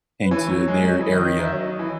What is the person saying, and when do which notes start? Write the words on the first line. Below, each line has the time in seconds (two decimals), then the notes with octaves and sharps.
came to their area
0.19 B4
0.31 E3 C#5
0.49 F#3
0.68 G#3
0.85 F#3 D#5
0.94 C#5
0.99 E3 D#5
1.12 D#3
1.25 D#3
1.39 D#3 E5
1.52 F#3 C#5
1.57 D#5
1.66 F#3
1.79 E3